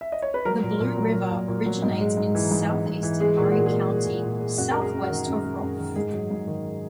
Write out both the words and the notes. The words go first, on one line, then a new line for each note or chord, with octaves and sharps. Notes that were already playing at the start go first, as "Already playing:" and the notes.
The Blue River originates in southeastern Murray County, southwest of Roff.
E5
D#5
C#5
B4
F#3 A#4
A#2
A#2
F#3
F#3
A#2
A#2
F#3
G#2
G#3
G#2
E3
G#2
G#3
G#2
E3
G#3 G#4
A#2
G#4
F#4
A#2 G#4
G#4
G#3
G#3
A#2
A#2
G#3
F#2 F#4
G#3 A#4
G#4
F#2
F#4
D#3
F#2
G#3
F#2
D#3
G#2 G#4
F#3
G#2
D#3